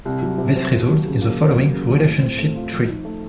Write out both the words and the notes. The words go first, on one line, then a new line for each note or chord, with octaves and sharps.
This results in the following relationship tree.
C2
F#3
C3
C4
D#2
F#3
C#3
A#3
D#2
F#3
C#3
D#2
A2
C4
A3
F4
F3
D#4
A3